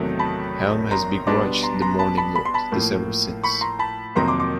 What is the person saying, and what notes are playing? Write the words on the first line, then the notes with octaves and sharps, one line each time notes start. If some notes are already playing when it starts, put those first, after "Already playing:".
Helm has begrudged the Morninglord this ever since.
Already playing: E2 C3 D#3 F#3 A3
A5 B5
A#5 C6
B2 G3 B3 D4 C6 D6
A#5 C6
A#5 C6
A5 B5
A5 B5
B5
C6
A5 B5
A2 F3 A#3
B5 C#6
A#5 C6
A5 B5
F2 C3 D#3 F#3 A#3 A#5 C6
C6 D6
C6 D6